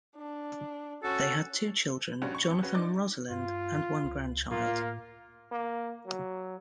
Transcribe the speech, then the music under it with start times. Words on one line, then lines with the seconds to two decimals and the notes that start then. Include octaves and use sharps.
They had two children, Jonathan and Rosalind, and one grandchild.
0.16 D4
1.03 C#4 F#4 A4
2.22 A#1 G2 G3 C#4 F#4
2.35 C#6 C#7
2.50 F2
2.63 C#4 F#4 B4
2.75 D4 D#4 D6 A6
3.30 G2 F4
4.04 C#2
4.51 A2 A#3 F4
5.52 A#3
6.06 F#3